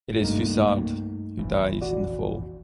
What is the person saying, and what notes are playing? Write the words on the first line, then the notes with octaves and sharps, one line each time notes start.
It is Foussard, who dies in the fall.
G1
C2 G2 A3 A#3 D#4
F1 A#1 E3
F#4 D5